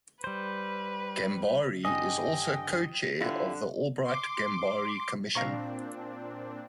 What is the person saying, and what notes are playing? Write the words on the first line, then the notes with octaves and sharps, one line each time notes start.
Gambari is also co-chair of the Albright-Gambari Commission.
G3 B4 C5
G2 D3 C#4 D#5 G5
D3 G3 E4 F4
C6 D6
A#2 C4 D4 F5 A#5 C#6